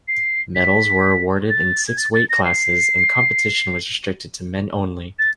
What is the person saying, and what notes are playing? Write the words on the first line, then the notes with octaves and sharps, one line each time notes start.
Medals were awarded in six weight classes, and competition was restricted to men only.
C7
B6
A6
G#6
A6
A6
A#6
C7
A6